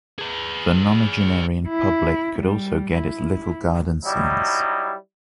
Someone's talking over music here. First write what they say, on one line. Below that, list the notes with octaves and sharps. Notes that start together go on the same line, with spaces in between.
The nonagenarian public could also get its little garden scenes.
G#4 B4
E4
G3
E4
F#3 G3 D#4 E4